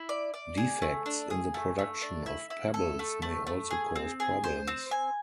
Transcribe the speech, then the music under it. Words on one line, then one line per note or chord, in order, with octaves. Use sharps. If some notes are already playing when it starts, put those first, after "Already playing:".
Defects in the production of pebbles may also cause problems.
Already playing: E4
D5
D5
G#4
A3
D4
G#4
A3
A3
D4
E4
E4
A4
A3
A3
A3
G#4
C4
G#4
C5
C4
G#5